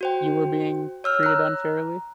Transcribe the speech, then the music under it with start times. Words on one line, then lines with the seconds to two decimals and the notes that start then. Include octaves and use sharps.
you were being treated unfairly?
0.01 F#4 C5 G5
1.04 C#5 E6 F6
1.23 A#5 F#6